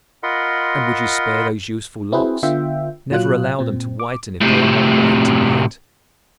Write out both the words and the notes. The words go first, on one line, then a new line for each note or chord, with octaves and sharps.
And would you spare those youthful locks? Never allow them to whiten if they are not white to-night.
F4 A#4 D#5 F#5 B5 C6
C4 E4 F#4 G#4 B4 C5
D3 B3 F4 E5 G5
A#2 F#3 F4 F#6
A#2 C4
D6
A2 C3